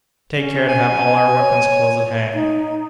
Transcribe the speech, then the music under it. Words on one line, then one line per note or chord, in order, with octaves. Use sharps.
Take care to have all our weapons close at hand.
C#4
G#5
C#5
D#4